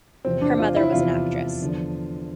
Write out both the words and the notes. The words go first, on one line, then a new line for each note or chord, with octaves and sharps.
Her mother was an actress.
E2 C3 F3 C4
D4
F4
E4
E2 C3 F3 F4
E2 D3 F3